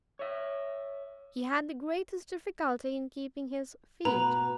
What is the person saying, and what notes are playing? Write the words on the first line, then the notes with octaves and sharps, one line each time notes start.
He had the greatest difficulty in keeping his feet.
C#5 E5
B2 B4 A#5